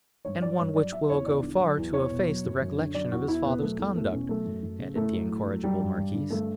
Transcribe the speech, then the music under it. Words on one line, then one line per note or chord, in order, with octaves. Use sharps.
"And one which will go far to efface the recollection of his father's conduct," added the incorrigible marquise.
G2 C#5
F#3 D5
G2 C#5
F#3 D5
F#3 E5
E2 C#5
E2 D5
D3
F#3
E2
E2 C#5
B2
F#3
F#2
F#2
D3
F#3 D5
E2 F#4
E2 E4
B2 B3
F#3 A3
E2 A3
E2 A3
B2 C#4
F#3 A3
F#2
F#2
C#3
A2 A3
F#3
A2
F#3
F#3 G3
G2
G2
D3
G2 A3